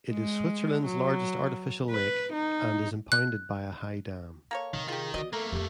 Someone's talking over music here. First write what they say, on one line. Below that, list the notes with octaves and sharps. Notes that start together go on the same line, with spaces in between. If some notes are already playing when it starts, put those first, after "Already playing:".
It is Switzerland's largest artificial lake, and is impounded by a high dam.
G#3
F#3
B4
D#4
F#6
A#3 A4 C#5
C3 D#3
D#3 F4 G4 G#4
B3 F#4 D5 D#5
A3 A#3 A4 A#4
F2 C4 G4